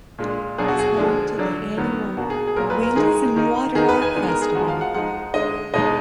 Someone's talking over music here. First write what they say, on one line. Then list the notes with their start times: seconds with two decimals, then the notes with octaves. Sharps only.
It is home to the annual Wings 'n Water art festival.
0.18 A#2 G#3 D4
0.58 B2 F#3 D4 G#4
0.68 F#4
0.79 G#4
0.98 D3 F3 G#3 D4
1.38 D3 F#3 D4
1.77 D#3 F#3 B3
2.17 B2 A#3 D4 F#4
2.30 G#4
2.47 G#4
2.56 A#2 F#3 A#3 A#4
2.70 B4
2.83 A#4
2.96 D#3 G#3 D#4 G#4
3.36 D#3 A#3 D#4
3.75 D#3 A#3 D#4 G#4
3.89 B4
4.02 G#5
4.15 D#3 G#3 B3 D4
4.28 A#4
4.42 G#4
4.55 F3 G#3 D#4 F#4
4.68 F5
4.81 F#5
4.94 F3 G#3 D#4 F#5
5.34 D3 G#3 D4 D#5
5.74 B2 G#3 D#4 D#5